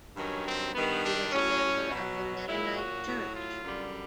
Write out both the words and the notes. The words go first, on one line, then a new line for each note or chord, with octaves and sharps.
He was a member of the Mennonite Church.
G2 D#3 F#3 C#4
C4
G2 D#3 G3 B3
D4
A2 F#3 C#4
B2 F#3
A#2 F#3 E4
F#4
A2 F#3
F4
F#2 D3 G3